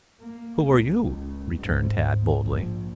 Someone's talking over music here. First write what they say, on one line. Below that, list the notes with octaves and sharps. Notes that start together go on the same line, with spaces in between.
"Who are you?" returned Tad boldly.
A#3
C#2
C#2
G#2
G#2
A#1